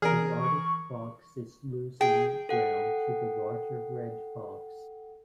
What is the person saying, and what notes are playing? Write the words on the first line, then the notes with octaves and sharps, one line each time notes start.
The Arctic fox is losing ground to the larger red fox.
E3 G#4 A#4
C#6
G#4 G5
A4 F#5 G5